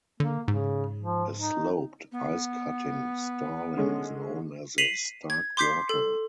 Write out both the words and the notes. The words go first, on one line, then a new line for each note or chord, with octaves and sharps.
A sloped, ice-cutting starling is known as a starkwater.
D3 A#3
G#2 C#3
F3
D#4
B3
D3 G#3 C#4
B6 C7 D#7 F7 F#7
G#6
C6 D6 G6 B6 C7
A4